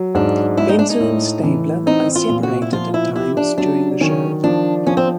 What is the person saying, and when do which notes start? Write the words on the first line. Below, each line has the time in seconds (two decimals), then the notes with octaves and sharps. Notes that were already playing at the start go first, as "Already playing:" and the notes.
Benson and Stabler are separated at times during the show.
Already playing: F#3
0.14 G#2 D4
0.57 G#3 E4
0.69 D#4
0.79 D4
0.90 D#4
1.00 A2
1.43 E3
1.86 C4 D#4
2.15 F4
2.29 A#2
2.43 F#4
2.62 E4
2.72 F3 F4
2.94 E4
3.15 E4 G4
3.37 D4
3.58 F#3 D4
4.01 D#3 C#4
4.44 F3 D4
4.87 F3 C#4
4.97 C4